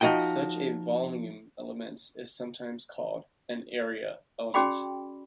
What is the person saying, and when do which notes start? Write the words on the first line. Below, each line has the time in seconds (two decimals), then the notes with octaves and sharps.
Such a volume element is sometimes called an "area element".
0.01 F3 D#4 F#4 D#5 G5
4.54 C#4 F#4 G#4 D5 G5 B5